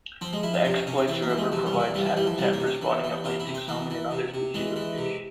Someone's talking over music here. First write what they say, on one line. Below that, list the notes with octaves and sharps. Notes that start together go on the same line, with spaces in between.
The Exploits River provides habitat for spawning Atlantic Salmon and other species of fish.
F3 C4
G#3
F3 E4
F4
C3 F4
C#4
C3 C#4
C4
E3 C4
A#3
E3
G#3
C3 F3
G3
C3
F3
E3 G3
F3
E3 G3
F3
C3 G3
A#3
C3
C#4
E3
E3
C3 F4
E4
C3
C4
E3 A#3
E3
C3
C3
E3 G#3
E3
C3